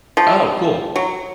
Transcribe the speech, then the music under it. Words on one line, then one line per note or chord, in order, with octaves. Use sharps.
Oh, cool.
F3
F#3